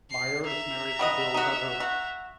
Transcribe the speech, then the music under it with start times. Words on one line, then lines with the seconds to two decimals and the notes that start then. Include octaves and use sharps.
Meyer is married to Bill Weber.
0.10 C7
0.46 E5 A#5
0.99 G3 F#4 D#5
1.34 D#4 F#4
1.80 F#4